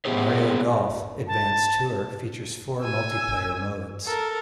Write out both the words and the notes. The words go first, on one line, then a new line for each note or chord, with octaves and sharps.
"Mario Golf: Advance Tour" features four multiplayer modes.
B3 G4 G#4 C5
A5
G#5 E6
A4 A#4